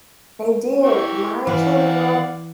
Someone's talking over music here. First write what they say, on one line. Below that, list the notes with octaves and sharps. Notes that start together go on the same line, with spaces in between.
They did, my children loved
E3 G4 C#6
E3 D5 F5 F#5